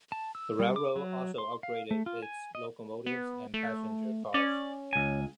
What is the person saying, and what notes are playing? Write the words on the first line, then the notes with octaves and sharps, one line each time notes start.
The railroad also upgraded its locomotives and passenger cars.
A5
E6
G3
D6
F#3
C6
F5
A3
F4
G#5
D#5
B3
A3
C#4 D5
C#2 G#5